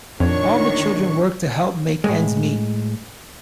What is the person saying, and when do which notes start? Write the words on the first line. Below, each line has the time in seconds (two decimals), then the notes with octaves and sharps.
All the children worked to help make ends meet.
0.20 F2 A#2 D#3 D4 C#5 C#6
2.04 A2 G#3